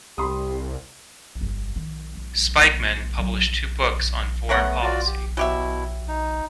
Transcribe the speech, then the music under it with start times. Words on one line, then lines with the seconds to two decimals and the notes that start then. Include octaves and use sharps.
Spykman published two books on foreign policy.
0.18 C2 G4 B5 C6 D#6
1.41 G1
1.76 D#3
2.15 G#3
2.61 A#3
3.18 F#3
4.49 A3 B3 A#4 C#5 F#5
4.82 F4 F#4 D5
5.06 G4
5.37 B2 F#3 E4 G4 E5
6.08 D#4